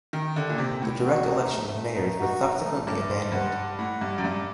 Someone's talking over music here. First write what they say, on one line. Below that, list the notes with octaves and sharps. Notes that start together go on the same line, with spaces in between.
The direct election of mayors was subsequently abandoned.
D#3 G5
D3 G4
A#2
C3 G5
A2 G5
F#4
D#4
A3
A3
D#4
F#4
D#4
A3
G2 G4
C5
G2 F#5
G4
A2 F#5
G2 G4
F#2
G2 G4